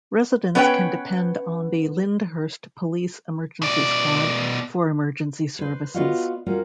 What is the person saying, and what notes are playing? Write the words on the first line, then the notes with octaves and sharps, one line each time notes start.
Residents can depend on the Lyndhurst Police Emergency Squad for emergency services.
B3 C#4 B4 C#5 G5
B2 D5
B4 C5
B3 F4 F#4 C#5 D#5 F5
G3 A#3 C#4 F4 F#4